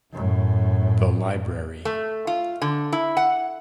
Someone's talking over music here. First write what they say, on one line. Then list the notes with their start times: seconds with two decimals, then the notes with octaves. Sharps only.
The Library.
0.13 F#2 A2
1.85 A3
2.27 F4
2.62 D3
2.93 E4
3.17 F#5